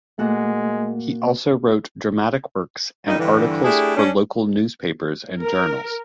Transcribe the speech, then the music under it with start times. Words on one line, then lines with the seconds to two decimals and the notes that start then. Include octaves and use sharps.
He also wrote dramatic works and articles for local newspapers and journals.
0.19 A#2 G#3 A3 F#4 F#5
3.07 G2 A#2 D#4
3.20 G2 D3 E3
3.65 A3 D4 E4 G4 G#4
3.97 C#4 D4
5.42 A#4